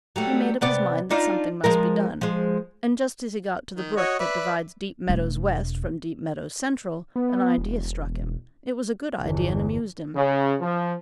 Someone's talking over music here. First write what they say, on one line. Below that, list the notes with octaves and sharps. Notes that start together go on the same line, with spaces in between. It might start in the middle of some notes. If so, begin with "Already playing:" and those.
He made up his mind that something must be done, and just as he got to the brook that divides Deep Meadows West from Deep Meadows Central an idea struck him; it was a good idea and amused him.
F#3 G3 A3
C3 B3 D5
D4 D#4 F4
F3 G#3 A#4
F3 G#3
D#3
F#4 C#5 D#5
B4 D5 E5
E1 A3
B3
E1
G1 E2
C#3
F3